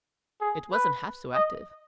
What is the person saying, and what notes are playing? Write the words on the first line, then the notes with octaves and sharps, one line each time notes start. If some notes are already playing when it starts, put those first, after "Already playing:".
It wasn't half so active.
G#4
B4
D#5